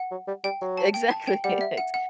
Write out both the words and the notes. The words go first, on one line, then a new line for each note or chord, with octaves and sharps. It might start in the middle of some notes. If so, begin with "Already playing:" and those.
E exactly, ex
Already playing: F#5
F#3
G3
G3 G5
F#3
A5
G5
A5
G5
G3 F#5
E5
F#5
F#5